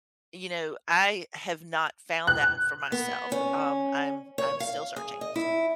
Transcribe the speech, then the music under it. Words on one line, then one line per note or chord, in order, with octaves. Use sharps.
you know, I have not found that for myself. Um, I'm I'm still searching.
F#6
B3
C#4
C#5
F5
G#4
D#5
E4